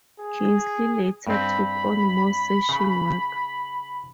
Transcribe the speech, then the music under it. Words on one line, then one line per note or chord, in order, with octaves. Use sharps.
Kinsley later took on more session work.
G#4
G2 C4 B5
C#3